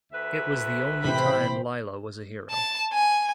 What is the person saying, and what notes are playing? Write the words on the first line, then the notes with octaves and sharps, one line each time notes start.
It was the only time Lilah was a hero.
D2 B4 E5
A2 C3 E3 C5 G5 B5
A5
G#5